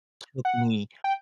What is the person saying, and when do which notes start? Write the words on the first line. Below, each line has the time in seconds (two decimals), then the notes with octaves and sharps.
took me
0.45 F#5
1.04 G5